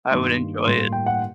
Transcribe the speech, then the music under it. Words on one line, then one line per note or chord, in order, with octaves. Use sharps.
I would enjoy it.
G2 D#3 G3 A#3 C6
A2 G3 A#3 C6
G5
F#5